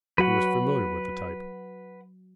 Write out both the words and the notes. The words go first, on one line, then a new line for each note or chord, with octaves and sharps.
He was familiar with the type.
F#3 F#4 B4 F#5